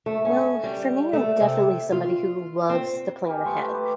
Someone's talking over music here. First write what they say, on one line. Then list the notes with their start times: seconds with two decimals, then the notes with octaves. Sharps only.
Well, for me, I'm definitely somebody who loves to plan ahead.
0.06 A3
0.25 C#4
0.64 G3
1.13 A3
1.40 C3
1.92 F4
2.69 C4
3.28 G4 A4 A#4 G#5
3.45 A3 B3 G4 C5
3.73 B4 D6